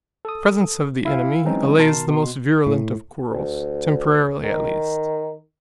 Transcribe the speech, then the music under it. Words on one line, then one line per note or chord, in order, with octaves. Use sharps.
The presence of the enemy allays the most virulent of quarrels, temporarily at least.
A4 D#6
E4 E5 F5
E3 F#3 G#3 C4 C#4 D#4
B2 D#3 A#4 A5 C6 C7
B2 C6
A2
D2
D#3